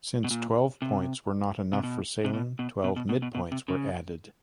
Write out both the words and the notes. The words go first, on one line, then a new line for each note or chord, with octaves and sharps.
Since twelve points were not enough for sailing, twelve midpoints were added.
B2
A#2
C3
C3
B2
C3
B2
B2
B2
B2
B2
B2
B2
C3
C#3